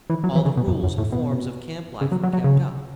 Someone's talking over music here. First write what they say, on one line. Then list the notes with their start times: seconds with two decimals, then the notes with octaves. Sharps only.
All the rules and forms of camp-life were kept up.
0.10 E3
0.24 F#3
0.35 E3
0.45 C#3
0.57 B2
0.67 F#2
0.83 F#2
0.98 A2
1.12 B2
2.01 C#3
2.12 F#3
2.23 F#3
2.33 F#3
2.44 C#3